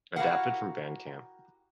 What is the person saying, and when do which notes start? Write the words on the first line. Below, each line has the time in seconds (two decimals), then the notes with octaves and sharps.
Adapted from Bandcamp.
0.16 E4 F#4 G4 A#4 F5 F#5